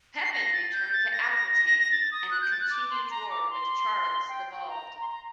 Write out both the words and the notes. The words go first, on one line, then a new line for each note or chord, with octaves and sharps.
Pepin returned to Aquitaine and continued war with Charles the Bald.
C7
A#6
A6
G6
A6
A#6
A#6
A#6
A#6
A#6
A6
D#6
F#6
G6
A6
F#6
D6
C6
C6
A#5
D6
C6
G5
G5
A#5
C6
A#5